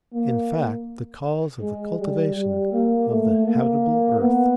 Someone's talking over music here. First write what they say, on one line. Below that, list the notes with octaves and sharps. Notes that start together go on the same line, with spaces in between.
"In fact, the cause of the cultivation of the habitable earth."
A#3
G#3
G3
G3
A#3
A3
A#3
B3